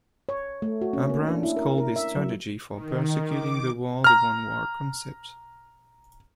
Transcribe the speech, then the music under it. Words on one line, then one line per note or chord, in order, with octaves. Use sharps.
Abrams called his strategy for persecuting the war the one war concept.
C#5
A3
F#4
C#4
A#3
D4
E4
A#4
A#4
E5
F#3
D#3
D6
A#5 F6